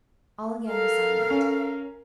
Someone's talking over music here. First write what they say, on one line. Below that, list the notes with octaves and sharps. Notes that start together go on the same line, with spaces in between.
All again was silent.
A4 A#4 F5
C#4